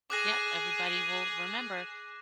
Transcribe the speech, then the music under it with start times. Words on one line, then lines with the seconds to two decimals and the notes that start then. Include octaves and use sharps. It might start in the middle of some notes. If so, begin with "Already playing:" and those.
Yep, everybody will remember
0.10 G#4 D6 F#6 A#6